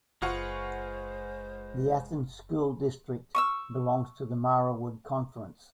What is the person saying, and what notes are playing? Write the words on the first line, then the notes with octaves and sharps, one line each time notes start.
The Athens School District belongs to the Marawood Conference.
F#1 G#3 F4 G#4 B4 C5 F#5 C#6
C#6 D#6 E6